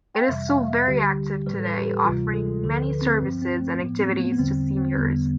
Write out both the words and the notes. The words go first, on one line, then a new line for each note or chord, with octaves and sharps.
It is still very active today, offering many services and activities to Seniors.
G5
F5
F2 C3 E3 G3 E5
F5
E5
D2 D3 G3 G4
A2 E3 G3 B4
A4
B4
G4
A4
D2 C3 E3 G3 F4
A4
D2 D3 F3 A4
B4
C4
G2 F3 C4
C4
A3
A2 F3 B3
C4
A3
B3
B3
E2 D3 G3 C4
C4
E2 D3 G3 B3